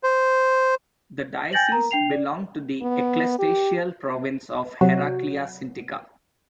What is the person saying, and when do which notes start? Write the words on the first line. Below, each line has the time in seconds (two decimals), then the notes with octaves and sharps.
The diocese belonged to the ecclesiastical province of Heraclea Sintica.
0.03 C5
1.53 G5 G#5 G6 A6 A#6 F#7
1.72 A#4 A#5
1.91 D4 G5 C7 F7
2.11 D5
2.82 B3
3.39 G4
4.81 C3 F#3 F#4